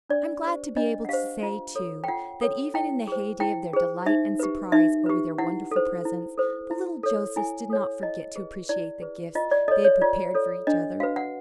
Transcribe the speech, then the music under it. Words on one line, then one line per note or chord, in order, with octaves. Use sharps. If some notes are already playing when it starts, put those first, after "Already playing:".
I'm glad to be able to say, too, that even in the heyday of their delight and surprise over their wonderful presents, the little Josephs did not forget to appreciate the gifts they had prepared for each other.
D4 D5
G4 C5
D4 D#5
F#5
G4 C5 F5
F4
A4 C#5
G5
F4 F#5
A4 C#5
E4 G5
G#4 C5
E4 G5
G#4 C5
D#4 E5
G4 B4
D#4 E5
G4 B4
E4 F#5
A4 C5
E4
A4 C5
E4
A4 C#5
E4 G#5
A4 C#5
E4 D#5
G#4 B4
E4 D5
G#4 B4
F4 D#5
D5
A4 C#5 D#5
C#5
F4 D5
A4 C#5
D4 D#5
F#4 B4 F5
F#5